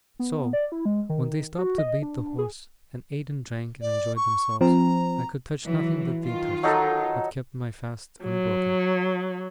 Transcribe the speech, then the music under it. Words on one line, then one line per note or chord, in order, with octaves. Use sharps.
So, when they stopped to bait the horse, and ate and drank and enjoyed themselves, I could touch nothing that they touched, but kept my fast unbroken.
B3
D5
E4
G#3
D#3
F#4
D#5
D4
G#4
D5
C#6
F3 C4 A#5
E3 F#3
D#3 F4
F#3 D#4 A4
F#3